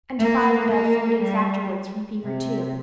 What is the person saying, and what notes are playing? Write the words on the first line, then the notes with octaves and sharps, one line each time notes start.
And father died four days afterwards from fever too.
A#3
A#3
G3
C3